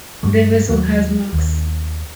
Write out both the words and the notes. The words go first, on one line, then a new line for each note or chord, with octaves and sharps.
The vessel has max.
G2 G3 A3
D#2 F#3
D#2